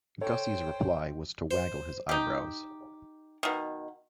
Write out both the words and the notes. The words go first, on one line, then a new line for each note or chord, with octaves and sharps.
Gussie's reply was to waggle his eyebrows.
A4 C5 C#5 G5
C5
D#4 G4
B2 D#3